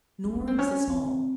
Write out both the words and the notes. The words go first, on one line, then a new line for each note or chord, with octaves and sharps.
Nor is this all.
D#4
C#4
C4
C#4
C4